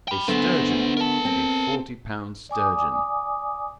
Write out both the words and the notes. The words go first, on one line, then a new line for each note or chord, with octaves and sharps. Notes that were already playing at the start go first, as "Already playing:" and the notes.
A sturgeon! a forty pound sturgeon!
G5 B5
D3 A3 B3 D4 C5
A#4 A5
C4
D5 G#5 D6 D#6